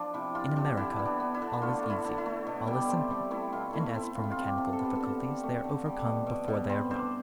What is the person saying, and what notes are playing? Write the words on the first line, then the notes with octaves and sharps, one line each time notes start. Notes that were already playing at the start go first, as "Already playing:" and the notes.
In America, all is easy, all is simple; and as for mechanical difficulties, they are overcome before they arise.
Already playing: F3 D4
C3 E4
C3 F4
C3 D4
D3 E4
B3
D4
B3
E4
D3
A3 F4
A3
E4
D3
E4
A3
B2
G3
C4
G3
A3 E4
B2 F4
A3 E4
C4 E4
C3 F4
E4
F4
C3
G4
C3
A4
B3
G4
A4
D3
C4
A3
D3
G3
B2
B2
B2
C4 B4
G2 C5